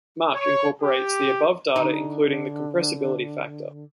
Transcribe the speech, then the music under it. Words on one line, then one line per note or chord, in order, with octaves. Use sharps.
Mach incorporates the above data including the compressibility factor.
C#5
G4
D3 D#4